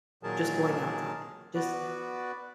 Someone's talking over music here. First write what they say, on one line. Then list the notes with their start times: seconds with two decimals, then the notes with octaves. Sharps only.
just going outside. Just
0.23 A#2 D#3 F#3 G#4 A#4 A5
1.55 B3 F#4 B4 D5